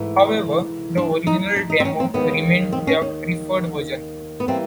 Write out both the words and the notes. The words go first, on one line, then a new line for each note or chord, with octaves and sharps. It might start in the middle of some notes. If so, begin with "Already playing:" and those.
However, the original demo remained their preferred version.
Already playing: G#2 E3 A3
D4
D#4
D4
D#4
C4
C#4
C4
D#2 D#3 G#3 B3
C4
C#4
C#4
B3
E3 G3 A#3 C4